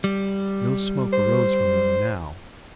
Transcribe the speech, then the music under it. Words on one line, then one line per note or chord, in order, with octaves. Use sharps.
No smoke arose from them now.
G3
C5